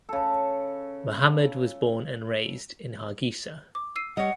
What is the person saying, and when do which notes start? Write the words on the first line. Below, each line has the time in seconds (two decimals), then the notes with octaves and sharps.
Mohamed was born and raised in Hargeisa.
0.09 C#3 A4
3.75 D6
3.96 E6 C7 D#7
4.17 G3 C#5 D#5 F#5